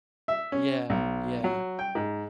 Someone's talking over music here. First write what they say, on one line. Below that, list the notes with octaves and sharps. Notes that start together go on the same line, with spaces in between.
Yeah, yeah.
E5
C#4
B1
F#3
G5
G#2